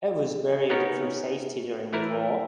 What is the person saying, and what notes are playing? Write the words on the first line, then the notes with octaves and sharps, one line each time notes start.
It was buried for safety during the war.
B3 C#4 D#4 A#4 C#5
E3 A3 E4 A#4